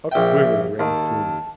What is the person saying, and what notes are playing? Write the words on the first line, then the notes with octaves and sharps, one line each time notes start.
A quiver ran through me.
A#1 E5 G5
D#2 A5